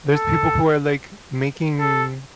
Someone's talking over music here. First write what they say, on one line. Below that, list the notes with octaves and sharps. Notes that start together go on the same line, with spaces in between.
there's people who are, like, making,
A4
A4